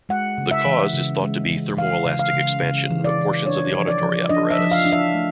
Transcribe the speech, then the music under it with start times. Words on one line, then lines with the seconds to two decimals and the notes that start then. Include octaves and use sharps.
The cause is thought to be thermoelastic expansion of portions of the auditory apparatus.
0.09 G#3 F#5
0.38 C#3
0.51 E5
0.66 E3
0.93 C#3
1.22 G#3
1.50 E3
1.77 E3 F5
2.05 C#3
2.19 F5
2.33 C#3
2.62 C#3
2.90 E3
3.04 D5
3.18 E3
3.45 D4 C#5
3.75 F3
3.88 D5
4.02 F3
4.29 D4 D#5
4.51 E5
4.59 F3
4.71 F5
4.85 D4
4.92 E5
5.14 A3